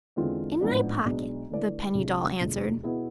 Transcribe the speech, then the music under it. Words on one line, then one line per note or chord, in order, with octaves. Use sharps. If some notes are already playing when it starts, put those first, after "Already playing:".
"In my pocket," the penny doll answered.
E2 D3 G#3 C4 F4
A1 G#2 F3 B3 D4
B1 B2 G#3 D4
D3 A3 E4 B4 D5
C2 C3 G#3 D4 G#4
E1 D2 D3 F3 G#3
B2 B3 E4 G#4